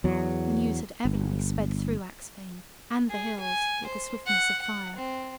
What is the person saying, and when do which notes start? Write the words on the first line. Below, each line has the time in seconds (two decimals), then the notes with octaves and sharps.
The news had evidently sped through Axphain and the hills with the swiftness of fire.
0.04 E2 F#3
1.05 G1
3.10 G#4
3.41 G#5
3.86 C5
4.27 F#5
4.62 F#5
4.97 C4